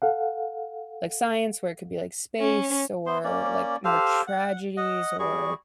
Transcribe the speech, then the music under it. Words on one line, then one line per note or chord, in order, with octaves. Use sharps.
like, science where it could be, like, space or, like, more tragedies or
A4 F5 F#5
C#4
B3 C5 C6
A#3 C#4 D5
G4 A4 C5 F5
F#5
D#5 F#5
G3 F#4 G#4 C#6